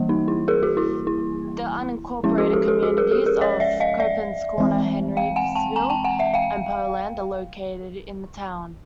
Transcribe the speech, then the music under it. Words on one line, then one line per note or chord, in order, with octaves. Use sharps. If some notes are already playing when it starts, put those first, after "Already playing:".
The unincorporated communities of Coppens Corner, Henrysville, and Poland are located in the town.
Already playing: E3 G3 A#3
D#4
E4
G#4 A#4
F#4 G#4
E4 F#4
E4
F3 G#3 C#4 E4
F#4 G#4
G4 A4
G4 A4
F#4 G#4
G#4 A#4
G4 A4
G#4 A#4
C#5 D#5
D5 E5
D#5 F5
D5 E5
E3 G#3 C4
F5 G5
F#5 G#5
G5 A5
G#5 A#5
G5 A5
F#5 G#5
E5 F#5
F5 G5